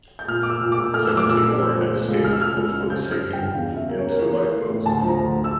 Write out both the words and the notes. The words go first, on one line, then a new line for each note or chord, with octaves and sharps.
Seventy more had escaped before the sinking in two lifeboats.
G6
A#2 F6
A#2 D6
E6
A#2
D6
A#2
A3 F6
A3 E6
D6
A#2 E6
A3
F3
F3
C#2
C#2
C#2 F6
E6
C#2 F6
C#2
C#3
F3 G6
F3
F6
G2
G5
G2
E2 F5
C#3 E5
A#3
C#5
A#3
A#4
E3 C#5
E3
A3
A2
D2 A5
F3
A#5
D2
E6